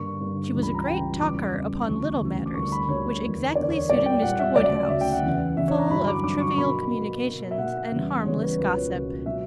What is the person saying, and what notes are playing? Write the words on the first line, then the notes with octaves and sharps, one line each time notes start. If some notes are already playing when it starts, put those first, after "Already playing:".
She was a great talker upon little matters, which exactly suited Mr. Woodhouse, full of trivial communications and harmless gossip.
Already playing: G2 D3 A#3 C#6
G2 D3 A#3
C#2 C#3 E3 G3
B5
A#5
C#2 C#3 E3 G3 G5
E2 C#3 G3 D6
E2 C#3 G3
D2 C#3 E3 C#6
D2 C#3 E3
D6
D2 D3 G3 A#3 C#6
B5
D2 D3 G3 A#3 C#5
E2 D3 A#3
E2 D3 A#3 D5
C#5
A#2 G3 A#3 D5
G5
A#2 G3 A#3 F#5
E5
D2 C#3 F#3 D5
D2 C#3 F#3 E5
G5
F#5
E2 C#3 E3
E2 C#3 E3 E5
C#5
A#5
G2 D3 F#3 B5
D6
G2 D3 F#3 D6
C#6
B2 A#3 B5
B2 A#3
B2 A#3
E5
B2 A#3 F#5
E2 C#3 E3 G3 B3
E2 C#3 E3 G3 B3 C#5
B4
C#2 B2 A#3 B4
C#5
C#2 B2 A#3
B2 F#3 E5